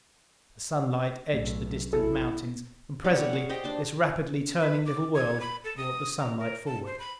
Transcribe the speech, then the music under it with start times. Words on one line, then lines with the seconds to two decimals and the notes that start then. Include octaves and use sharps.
The sunlight edged the distant mountains; and presently this rapidly turning little world brought the sunlight forward.
1.33 B1 A2 A3
1.93 A1 E4 A4
3.04 G3 C#4 D5
3.18 C#5 F#5
3.33 G#4
3.49 G4 C5 D#5 G5
3.64 D4 C5 A5
4.60 B4
4.86 D6
5.15 G#6
5.40 B5
5.64 A4
5.77 D#6
6.19 A#5
6.39 A#4
6.66 A5
6.86 C5
6.99 B5